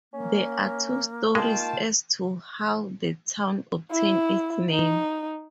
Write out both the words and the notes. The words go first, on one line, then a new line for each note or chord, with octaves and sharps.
There are two stories as to how the town obtained its name.
A#3 C#4
D#3 G#3 F4 G5 A5
E4
D#4